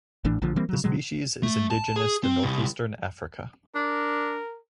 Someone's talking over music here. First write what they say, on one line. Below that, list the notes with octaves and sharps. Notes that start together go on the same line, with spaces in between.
The species is indigenous to northeastern Africa.
G#1 A2 E3 D4
A#1 A#2 D3 F3
E3 G3 A#3 C4
C#3 F#3
B2 D3 F#3 G#3
A3
A5
G#4
C4
C2
D4 A#4